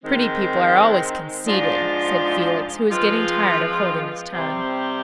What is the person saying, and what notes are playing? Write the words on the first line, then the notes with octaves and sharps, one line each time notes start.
"Pretty people are always conceited," said Felix, who was getting tired of holding his tongue.
D#3 G#3 C4
G#2 F3 G#3 D4 F4
F3 G#3 C4 F4 B4
C3 G3 C4